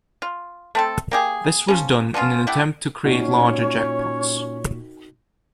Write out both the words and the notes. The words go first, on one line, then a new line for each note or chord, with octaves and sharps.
This was done in an attempt to create larger jackpots.
F4
A3 C4 A4
A#3 G4 G#4
F3 C#4
F3 B3 C#4 F4
A3 E4 G4 F#5
A#2 C#4 D#4 F#4 C#5 C#6